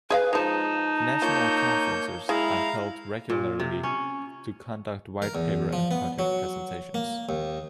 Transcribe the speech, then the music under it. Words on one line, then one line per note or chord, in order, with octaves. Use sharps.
National conferences are held regularly to conduct white-paper and project presentations.
G#4 B4 E5 F5
F3 G#3 D#4 A5
A#3 F4 C#5 G6
G#3 E4 F5 A#5
A#2
C3
C#4
A#4
E2
F3
B3
F#3
A#3
D#2